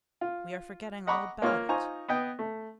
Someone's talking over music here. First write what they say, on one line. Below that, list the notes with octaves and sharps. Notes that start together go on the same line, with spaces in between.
We are forgetting all about it.'
F4
D#5 F#5 A#5 B5 C#6 D6
A#3 F4 C#5 F6
D#4 F4 C5 G#5 A#5 C#6
B3 D#5 G5
A3